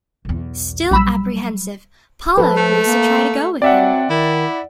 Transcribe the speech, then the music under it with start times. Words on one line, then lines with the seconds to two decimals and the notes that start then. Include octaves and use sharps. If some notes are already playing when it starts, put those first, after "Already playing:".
Still apprehensive, Paula agrees to try to go with him.
0.25 B1 E2
0.91 A#1 F#3 G3 B5 E6
2.38 F3 A4 B4
2.57 A3
2.86 A#3
3.62 F#3 C4 D5 E5 F#5
4.10 D#3 E4